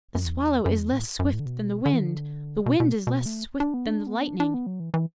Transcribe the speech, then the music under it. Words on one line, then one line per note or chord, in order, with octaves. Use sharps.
'The swallow is less swift than the wind, the wind is less swift than the lightning.
F#2
E2
F#2
E2
A2
F#2
A2
D3
B2
D3
E3
D3
B2
B2
B2
A3
D4
B3
D4
B3
D4
D4
B3
F#3
E3
E3